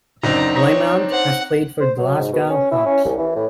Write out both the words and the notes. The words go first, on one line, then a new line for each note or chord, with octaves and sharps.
Lamont has played for Glasgow Hawks.
F#1 C4 D4 D#4 A#5
C#5 A#5 D#6 A#6
C5 F#5
C5
F#3
G#2
B2
C#4
E4
C#4
C2
E3
A2